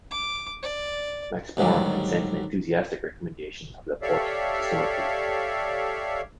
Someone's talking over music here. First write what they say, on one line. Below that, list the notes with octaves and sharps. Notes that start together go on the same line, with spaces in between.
Max Born had sent an enthusiastic recommendation of Laporte to Sommerfeld.
D6
D5
D#2 G#2 D3 F#3 G3
G4 A4 C#5 D5 E5 F5